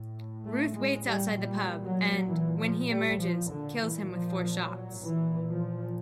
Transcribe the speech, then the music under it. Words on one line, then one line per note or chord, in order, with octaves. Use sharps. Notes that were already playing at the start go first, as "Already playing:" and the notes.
Ruth waits outside the pub and, when he emerges, kills him with four shots.
Already playing: A2
A3
G#3
G3
A#2 G3
F#3
E3
F3
G3
A#2 F3
D3
E3
F3
F#3
A#2 E3
F3